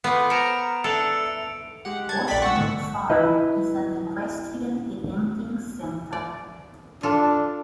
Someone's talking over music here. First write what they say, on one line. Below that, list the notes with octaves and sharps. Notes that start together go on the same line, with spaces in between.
Washbrook Farm, is an equestrian eventing centre.
A3 B3 F4 D6
A#4 C5 A#5 C#7 D7 F7
D4 E4 A4 E6 F7
G#3 G4 F#5
A5 G#6
A#1 A3 D5 G5 B6
C#4 F#5 C#6 E6
G#2 B2 D3 C#6
E4 B4 D#5
D5
D4 F4 A4